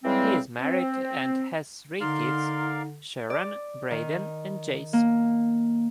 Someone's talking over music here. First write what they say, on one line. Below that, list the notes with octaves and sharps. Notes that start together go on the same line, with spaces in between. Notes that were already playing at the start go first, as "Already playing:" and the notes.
He is married and has three kids- Sheehan, Brayden and Jayce.
C#3 E3 G3 G#3 C4
C4
D3 D#4 A#4 D5 F5 C6
D5
D#3
A#3